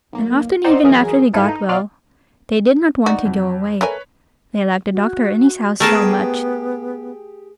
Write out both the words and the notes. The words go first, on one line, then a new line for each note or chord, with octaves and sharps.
And often even after they got well, they did not want to go away--they liked the Doctor and his house so much.
B1 A#3
C4 D#4 C5 D5 F#5 C6
E3 F#3 G#4 A#4
G#2 E4 A4 B4 F5
D#4
B2 F4 D5 F6
D#4 F#4 D5
F2
A3 A#4 B4 C#5 G#5
F#4
A3 B3 G4 G#4 A#4 A5